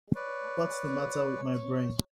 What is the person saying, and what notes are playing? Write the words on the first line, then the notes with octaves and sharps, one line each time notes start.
What's the matter with my brain?
B4 C#5 D5